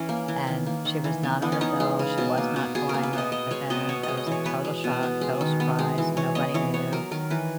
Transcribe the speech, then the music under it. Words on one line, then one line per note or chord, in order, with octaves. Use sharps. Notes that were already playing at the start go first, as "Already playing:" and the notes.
And she was not on the bill, she was not touring with him, it was a total shock, total surprise, nobody knew.
Already playing: E3 C#4
A#3
E3
D#3
A#3
D#3
E3
B3
E3 B3
C#4
B3 D#4
G#3
C#3
B2
A#3
B2
B2 G#4
A#4
A#3
B4
B2 D#5
B3 D#5
G#3 C#5
B2 D#5
B3 C#5
G#3 D#5
D#5
E3 C#5
B3 B4
G#3
B2
B3
G#3
D#3
B3
G#3
E3
E3 C#5
B3 D#5
E3 C#5
B3 C#5
F#3 A#4
D#3 A#4
E3 B4